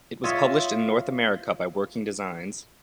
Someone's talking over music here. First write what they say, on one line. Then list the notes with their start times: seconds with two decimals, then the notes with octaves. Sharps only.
It was published in North America by Working Designs.
0.24 F4 C#5 D#5 E5